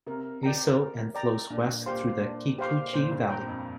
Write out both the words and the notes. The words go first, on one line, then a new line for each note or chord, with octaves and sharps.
Aso and flows west through the Kikuchi Valley.
C3 A#4
D5 G5 A#5
A#4
D5 G5 A#5
A#2 D4
A#2 G4 C5 F5 C6
D4
G4 C5 F5 C6
A#2 C5
G2
G2 G5 A#5
F2